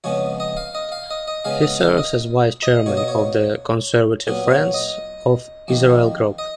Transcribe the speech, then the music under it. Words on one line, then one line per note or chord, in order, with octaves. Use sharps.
He serves as Vice Chairman of the Conservative Friends of Israel group.
F2 C#3 G#3 B3 C#5
D#5
F5
D#5
F5
D#5
D#5
C#3 G#3 B3 F5
D#5
F5
D#5
D#5
B2 A#3 C#5
D#5
C#5
A#2 F#3 B3
C#5
D#5
F2 D#3 A#3
D#5